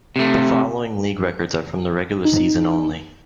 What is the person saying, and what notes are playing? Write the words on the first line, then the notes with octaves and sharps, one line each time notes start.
The following league records are from the regular season only.
C3 A3
D#4